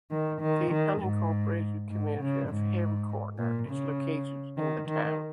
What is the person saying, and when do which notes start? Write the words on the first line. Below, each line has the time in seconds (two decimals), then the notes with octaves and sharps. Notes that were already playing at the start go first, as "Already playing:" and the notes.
The unincorporated community of Hale Corner is located in the town.
0.11 D#3
0.41 D#3
0.71 D#3
1.01 G#2
1.91 G#2
2.20 C#3
2.49 G#2
3.38 A#2
3.69 C#3
4.58 D#3
4.88 D#3